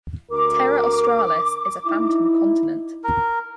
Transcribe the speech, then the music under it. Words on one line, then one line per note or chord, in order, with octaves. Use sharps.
Terra Australis is a phantom continent.
D2 A#4 D6
D#4 E4
A#4